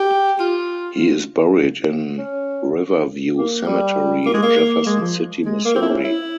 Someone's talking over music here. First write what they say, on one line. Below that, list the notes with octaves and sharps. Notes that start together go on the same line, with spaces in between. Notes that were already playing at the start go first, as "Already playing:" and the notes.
He is buried in Riverview Cemetery in Jefferson City, Missouri.
Already playing: G4
F4
C#4
A#3
G3
A#3
G#3
A#3
G#3
F3
G#3
A#3
C4
E4
C#4
E4